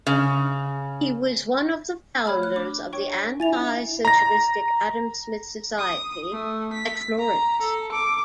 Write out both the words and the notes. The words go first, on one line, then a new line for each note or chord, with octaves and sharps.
He was one of the founders of the anti-socialistic Adam Smith Society at Florence.
C#3
A3 C#5 B5 F6
F#6
D4 D6
C#5 G5 C#6
E4 G#5 A6 F7
A#5 A#6
D#6
A3
B6
A#5
A4
D6